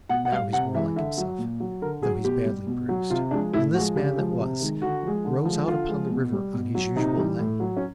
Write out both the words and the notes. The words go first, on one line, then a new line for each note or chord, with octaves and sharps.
Now he's more like himself; though he's badly bruised,--when this man that was, rows out upon the river on his usual lay.
B2 F#5
F#5
G3 F5
C3 F#5
E3 G#3 E5
D3 E5
F#3
A#2
F#3
D3 A#4
F#3 G#4
B2 G4
G3
B2
F#3
C3 F4
F3 G#3 D4
A2 E4
F3 G#3 F#4
C#3 G4
F3 G#3
C3
D#3 G#3
D3 F#4
F3 G#3
D3
F3 G#3
D3 F4
F3 G#3
B2
G3
B2
F#3
C3 D#4
E3 G3
A2
F#3
C#4